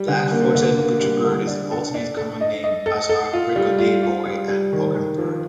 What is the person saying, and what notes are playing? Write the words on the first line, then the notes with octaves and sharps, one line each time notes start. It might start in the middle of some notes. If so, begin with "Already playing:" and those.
Black-throated butcherbird is an alternate common name, as are Break o'day boy and organbird.
Already playing: G3
D3
A#3
D3
A#3
G3
D3
D4
A4
D4
A4
D#5
D#5
A4
A4
F4
G3
F4
F4
G3
G3
D#3
D#3
F3